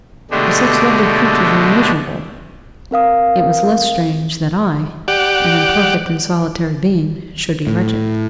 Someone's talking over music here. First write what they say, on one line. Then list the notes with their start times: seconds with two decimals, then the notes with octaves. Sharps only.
If such lovely creatures were miserable, it was less strange that I, an imperfect and solitary being, should be wretched.
0.31 B2 D3 G#3 A3 D4 G4
2.91 C4 A#4 F5 D#6
5.08 G4 D5 F#5
7.67 A2